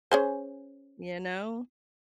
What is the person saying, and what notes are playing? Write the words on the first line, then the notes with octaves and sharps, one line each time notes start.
You know?
C#4 G#4 C5